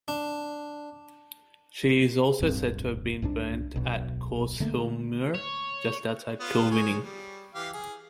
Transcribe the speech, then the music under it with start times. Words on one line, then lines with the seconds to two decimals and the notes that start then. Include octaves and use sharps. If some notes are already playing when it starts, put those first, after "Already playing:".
She is also said to have been burnt at Corsehillmuir, just outside Kilwinning.
0.08 D4
2.40 D1 B1 G2 C4
3.22 C2 G#2 F#3 D4
3.74 D1 B1 B2
4.60 D3 A3 A#3
5.35 C#5
6.40 B3 F4
6.71 G#4 C#5
7.04 G3
7.55 E3 G4 F5
7.73 G#4